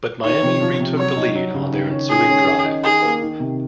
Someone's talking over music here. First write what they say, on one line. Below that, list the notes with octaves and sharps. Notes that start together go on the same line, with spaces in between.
But Miami retook the lead on their ensuing drive.
D#3 C#5
C3
F3
C3
F#3 C#5
D#4
F#3
C#3
D#3
C#4
D#3 G#4
C#4
D#3
D#4
D#3 G#4
A#3
D#3
C3